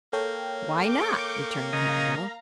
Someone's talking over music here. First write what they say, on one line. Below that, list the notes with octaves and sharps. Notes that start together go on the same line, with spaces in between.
"Why not?" returned Cap'n Bill.
A#3 A4 C#5 G5
C#6 D6 G6
C#3 D#5 F5 A#5